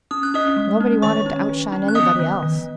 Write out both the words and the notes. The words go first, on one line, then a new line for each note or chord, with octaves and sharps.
Nobody wanted to outshine anybody else.
C#4 D#6
F#6
C#4 D#5 D#6
G#3
C#4
D#3 C#5 C#6
C#4
D#3
C#4
F#6
B3 D#5 D#6
D#3
D#3